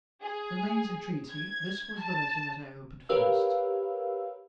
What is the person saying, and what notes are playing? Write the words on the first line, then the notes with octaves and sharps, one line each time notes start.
At Romayne's entreaty, this was the letter that I opened first.
G#4
G#6
A5
G4 A#4 B4 C#5 F5 E6